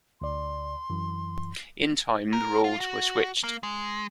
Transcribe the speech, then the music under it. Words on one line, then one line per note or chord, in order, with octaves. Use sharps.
In time, the roles were switched.
D2 D5 C6
F#2 E3
A#4
F4
F#4
A#3
G#3